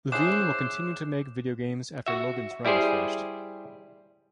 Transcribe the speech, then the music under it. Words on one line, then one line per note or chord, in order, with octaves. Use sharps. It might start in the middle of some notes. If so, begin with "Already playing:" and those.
Levine will continue to make video games after "Logan's Run" is finished.
C#4 E4 G#4 C5 D6 F#6 C7 E7
F#4 E5
G3 E4 G4 G#4 C5